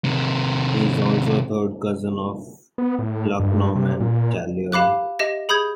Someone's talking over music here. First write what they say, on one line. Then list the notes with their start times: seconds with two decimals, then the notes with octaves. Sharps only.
He is also a third cousin of Luc-Normand Tellier.
0.05 C3 D#3
2.78 B3
2.99 A2
3.40 G2
3.76 C3
4.00 A#2
4.72 G4 F5 B5 D6 F#6
5.19 G4 D#5 E5 A#6
5.49 G#4 B5 D#6 G6 G#6